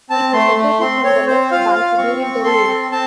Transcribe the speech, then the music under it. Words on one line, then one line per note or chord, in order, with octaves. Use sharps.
It was separated from the left bank during The Ruin.
C4 A5
A3 C6
A3
C4 C6
C4 C#5
C4 C5
F4 F5
F4 F5
C4 C#6
C4
A4 C6
C4
C4 A5